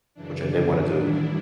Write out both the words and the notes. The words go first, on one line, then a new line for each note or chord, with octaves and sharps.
which I didn't wanna do."
F#2 C#3 E3 D4
F#2 D3 F3 D4
A2 E3
G2 D#3 D4 E4